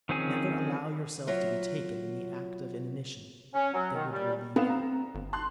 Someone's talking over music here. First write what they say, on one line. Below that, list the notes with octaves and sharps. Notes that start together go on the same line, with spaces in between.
Never allow yourself to be taken in the act of inanition. They would relieve you.
D#3 F3 C4 C#4 G#4
F#3 F4 E5
C#4
F#3
D#3
G3
B3 C4 F5 E7
A#5
G1
A5 C6 F#6